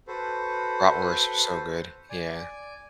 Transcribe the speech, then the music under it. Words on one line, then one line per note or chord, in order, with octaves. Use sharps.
Bratwursts are so good, yeah.
F#4 A4 B4 C5
D5 G#5